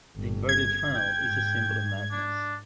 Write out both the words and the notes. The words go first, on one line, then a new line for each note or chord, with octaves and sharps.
The inverted funnel is a symbol of madness.
G1
G#6
G5
G#2
D4